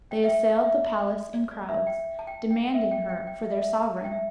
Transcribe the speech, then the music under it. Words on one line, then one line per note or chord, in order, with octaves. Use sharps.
They assailed the palace in crowds, demanding her for their sovereign.
G5
E5
G5
E5
E5
D5
D5
E5
G5
A5
G5
G5
E5
G5
G5
G5
E5
E5
A5
A5
G5
E5